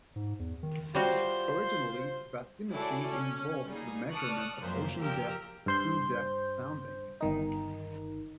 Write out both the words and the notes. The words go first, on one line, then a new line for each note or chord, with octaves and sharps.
Originally, bathymetry involved the measurement of ocean depth through depth sounding.
G#2
E2
D#3
G3 F4 F#4 C5
E4 F#4 G#4 A4 C#5 D5
C#4
G3 A#3 D#4 G#4
D5 A5 C#6 D#6 F6 F#6
F#2 A#2 F3 C5
F2 A#2 G4 A#4 G5 E6
G2 C5 G6
G1 D#3 D#4